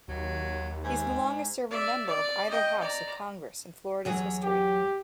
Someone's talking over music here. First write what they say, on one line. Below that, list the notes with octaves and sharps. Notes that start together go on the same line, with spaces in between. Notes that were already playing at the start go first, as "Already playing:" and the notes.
He is the longest-serving member of either house of Congress in Florida's history.
D#2 F#3
G#2
D5 E5
D5
D#5 G5
D5 A#5
E2 F#3 G#4
G4